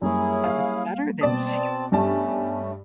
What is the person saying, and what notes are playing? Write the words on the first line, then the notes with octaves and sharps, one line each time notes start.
I was better than she
F#2 F#3 G3 A#3 C#4 E4 G#4
F5
B2 C4 D5 A5 D#6
G2 G3 A3 B3 C#4 D4 A5